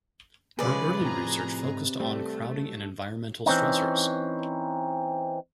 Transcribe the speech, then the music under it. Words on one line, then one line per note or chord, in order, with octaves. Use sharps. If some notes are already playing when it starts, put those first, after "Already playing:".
Her early research focused on crowding and environmental stressors.
C#3 F3 G#3 G#4 B4 D5
A2 C3 F3 G#4 A#5
G#2
G3 A3 C4
E3 C4 C#4 D#4